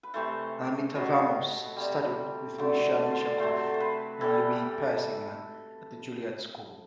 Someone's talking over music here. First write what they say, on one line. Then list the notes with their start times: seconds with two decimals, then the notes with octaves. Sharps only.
Almita Vamos studied with Mischa Mischakoff and Louis Persinger at the Juilliard School.
0.03 B4
0.14 C3 E3 A3 C5
0.95 B2 F#3 A3
1.76 C3 G3
2.58 D3 F#3 A3 D5
2.99 D5
3.11 C5
3.22 D5
3.39 C3 F#3 A3 C5
3.74 C5
3.80 B4
4.21 A2 E3 G3 A4